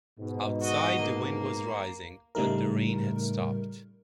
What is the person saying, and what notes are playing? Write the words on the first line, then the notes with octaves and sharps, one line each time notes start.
Outside the wind was rising, but the rain had stopped.
G#2 B2
F#4 D#5
A#3
A2 C#3 G3 A3 D#4 A#4